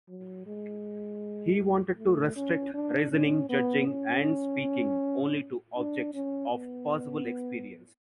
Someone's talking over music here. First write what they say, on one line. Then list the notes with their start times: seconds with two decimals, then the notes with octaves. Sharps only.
He wanted to restrict reasoning, judging, and speaking only to objects of possible experience.
0.08 F#3
0.46 G#3
1.97 A3
2.36 C#4
2.74 D4
3.12 C#4
3.49 B3
3.87 C#4
5.77 D4
6.14 C#4
6.51 B3